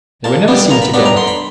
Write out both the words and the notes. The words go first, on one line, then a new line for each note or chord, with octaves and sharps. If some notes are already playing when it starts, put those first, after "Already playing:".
They were never seen together.
A#2 A5
G3 B3 D4
A#2 A#5
B5
G3 B3 D4 B5
A#5
D3 C6
B5